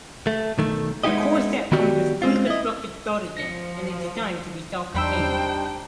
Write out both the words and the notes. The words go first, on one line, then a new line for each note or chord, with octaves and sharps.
The core set comes with pre-constructed starter decks, and is designed to be self-contained.
A3
B1 D#3 A3
G#3 B3 D#4 E4 G4 D#5
D#3 B3 F#4 G4 D5
G#3 C4 F4
E4 D#5
F3 A#6 C#7
E2 G3 D4 D#4 C5 G5 B5 E6